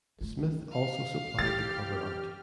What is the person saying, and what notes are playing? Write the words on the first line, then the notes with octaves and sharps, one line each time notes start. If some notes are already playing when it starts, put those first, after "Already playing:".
Smith also supplied the cover art.
A3 F4
F5
E3 G4 F6 A6